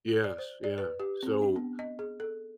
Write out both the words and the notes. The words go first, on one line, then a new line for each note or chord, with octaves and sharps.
Yes, yeah, so,
D5
C5
D5
B4
G4
C4
D4
B3
D#5
G#4
A4